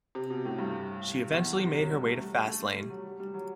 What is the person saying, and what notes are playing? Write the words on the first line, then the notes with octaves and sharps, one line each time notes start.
She eventually made her way to Faslane.
C3
B2
A2
G2
E2
C3
F#3
G3
A3
G3
A3
A3
G3
F#3
G3
G3
F#3